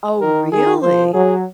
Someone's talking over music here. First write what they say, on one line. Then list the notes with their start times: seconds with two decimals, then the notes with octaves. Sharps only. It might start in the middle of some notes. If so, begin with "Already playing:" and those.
Oh, really?
0.21 D#3 A#4
0.52 D#3 G#4
0.82 F3 C5
1.13 F#3 G#4